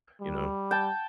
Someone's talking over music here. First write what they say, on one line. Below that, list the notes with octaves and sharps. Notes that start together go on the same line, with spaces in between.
you know,
G3
G5 A5